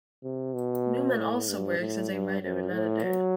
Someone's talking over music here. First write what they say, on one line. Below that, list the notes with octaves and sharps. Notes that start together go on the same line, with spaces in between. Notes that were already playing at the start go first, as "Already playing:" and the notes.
Newman also works as a writer and editor.
C3
B2
A2
G2
A2
G2
F#2
A2
F#3